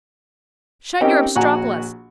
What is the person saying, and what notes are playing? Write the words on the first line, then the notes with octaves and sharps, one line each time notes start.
Shut your obstropolos.
C4 C#4 D#4 G4 A#4 G5
A#1 F#4 F#5 G#5 A#5